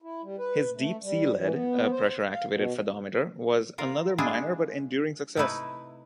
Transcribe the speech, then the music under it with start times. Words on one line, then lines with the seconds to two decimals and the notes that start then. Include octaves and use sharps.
His 'deep sea lead,' a pressure-activated fathometer was another minor, but enduring success.
0.02 E4
0.23 G3
0.38 B4
0.77 A3
1.03 G3
1.37 E3
1.52 B3
1.91 C5
2.30 F5
2.51 B2
3.78 F4 A#4 F5
4.18 G#3 D4 E4 F4 G#4
5.36 C3 A3 D#4 E4 B4